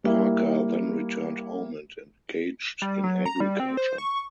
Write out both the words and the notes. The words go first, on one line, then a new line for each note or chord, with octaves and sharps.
Parker then returned home and engaged in agriculture.
G3 A#3 E4
G3
F#3
A#5
G3
C4
C5
C#6